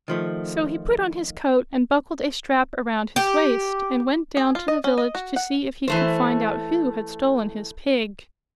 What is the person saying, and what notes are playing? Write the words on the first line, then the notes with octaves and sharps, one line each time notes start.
So he put on his coat and buckled a strap around his waist, and went down to the village to see if he could find out who had stolen his pig.
D#3 F3 A3
G4
G#4
F4
D#5
C#4
D#5
F#4
F#5
E3 A3 C5